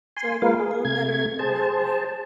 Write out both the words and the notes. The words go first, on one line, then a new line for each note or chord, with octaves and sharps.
So, like, it's a little better, but not, like,
G#5 C6
G#3 A#3 F4 A#4 B4 F5
G#4
C3 A3 G#6
G#4 C5 A5